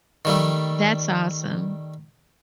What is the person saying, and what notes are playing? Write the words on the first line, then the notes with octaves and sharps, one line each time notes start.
Mhm, that's awesome.
D#3 G3 A3